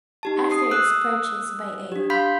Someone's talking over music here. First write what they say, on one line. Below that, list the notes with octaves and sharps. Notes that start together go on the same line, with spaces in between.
After its purchase by A.
D#4 G4 A5
D#6 C7
D#6 E6 F#6
D4 G4
F5 B5 C6 G6 B6